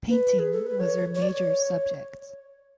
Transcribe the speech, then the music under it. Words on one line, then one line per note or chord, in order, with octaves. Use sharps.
Painting was her major subject.
B4
G#4
A4
B4
C#5
C#5
D5
C#5